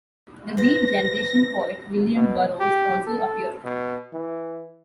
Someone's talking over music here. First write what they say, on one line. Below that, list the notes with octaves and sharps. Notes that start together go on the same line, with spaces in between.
The Beat generation poet William Burroughs also appeared.
B4 C5 A#6
B2
G4
A4
B2
E3